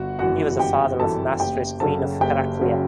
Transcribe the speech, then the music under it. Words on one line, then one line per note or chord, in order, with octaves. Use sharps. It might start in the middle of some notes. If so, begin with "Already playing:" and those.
He was the father of Amastris queen of Heraclea.
Already playing: G1 F#4 F#5
F#2 E3 F#4 F#5
G1 G4 G5
F#2 E3 A4 A5
F#1 G4 G5
F#2 C#3 F#3 A4 A5
F#1 G4 G5
F#2 C#3 F#3